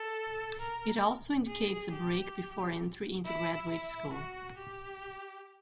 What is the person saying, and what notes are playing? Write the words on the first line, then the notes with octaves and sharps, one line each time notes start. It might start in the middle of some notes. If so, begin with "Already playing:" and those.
It also indicates a break before entry into graduate school.
Already playing: A4
A#4
G#4
G4
E4
E4
F#4
G4